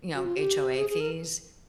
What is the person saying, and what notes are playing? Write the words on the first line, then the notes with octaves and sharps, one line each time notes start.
you know, HOA fees,
F#4
F4
G4
G#4
G#4
A#4